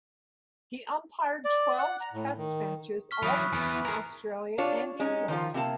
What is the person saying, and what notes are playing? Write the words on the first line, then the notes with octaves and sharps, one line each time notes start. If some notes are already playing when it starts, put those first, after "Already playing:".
He umpired twelve Test matches, all between Australia and England.
D5
F#5
A#5
A2
D#3
C#6 F6 B6
E3 F#3 B5 D#6 F#6
E3 B3 G#5
G#4 A#4
D4 F4 C#5
G#3 C#4 D#4
D#3 F3 F4
C3 A#3 A5